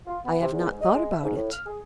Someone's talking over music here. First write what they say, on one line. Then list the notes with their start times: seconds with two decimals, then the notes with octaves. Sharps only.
"I have not thought about it."
0.07 F4
0.25 B3
0.40 C3
0.52 E2
0.70 G#2
0.82 D#5
0.94 G#3
1.11 E5
1.23 G#2
1.36 A2
1.52 F6
1.66 G#4